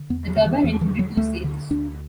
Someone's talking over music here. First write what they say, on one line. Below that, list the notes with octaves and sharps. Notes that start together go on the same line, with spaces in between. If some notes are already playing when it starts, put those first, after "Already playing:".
The turbine included two stages.
Already playing: D3
E2 B3
F#3
D3
E3
E2 E3
E3
D3
F#3
D2 A3
D3
D2 D4